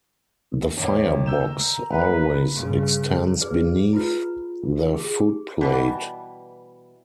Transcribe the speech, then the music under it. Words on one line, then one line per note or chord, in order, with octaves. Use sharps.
The firebox always extends beneath the footplate.
D#2 C#5
A#5 E6 G6 E7
A#3 B4
G2 C#3
G#4 B4 D5
E4 F4 B4
G4 G#4
B2 E3 G3